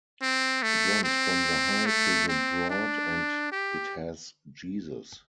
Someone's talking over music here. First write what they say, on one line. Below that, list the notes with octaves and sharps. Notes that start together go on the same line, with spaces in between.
It runs from the High to the Broad and it has Jesus.
C4
A3
C4
A3
C4
D4
G4